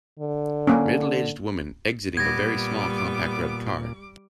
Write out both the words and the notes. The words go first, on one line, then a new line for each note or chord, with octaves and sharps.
Middleaged woman exiting a very small compact red car.
D3
A#3 C#4
A#2 G3 B3 D6 G#6 A#6